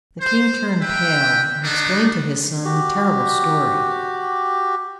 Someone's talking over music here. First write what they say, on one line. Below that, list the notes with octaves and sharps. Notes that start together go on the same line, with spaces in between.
The king turned pale and explained to his son the terrible story.
C5
B4 E5 G5
A3 B3 D4 D#4
F#4 G4